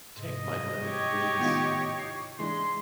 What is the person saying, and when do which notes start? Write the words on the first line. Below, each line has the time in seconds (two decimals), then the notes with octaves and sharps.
Take my money, please."
0.17 G#2 C3 D#5
0.84 G4 C#5 G#6
1.39 A2 D#3 B3 D#4 F4 F5
1.99 C#6 C7
2.39 E3 G#3 D4 C6